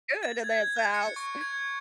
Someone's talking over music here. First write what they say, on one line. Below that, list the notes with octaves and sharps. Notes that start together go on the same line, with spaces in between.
good in this house."
A6
G#6
F#6
C#7
C#6
G#6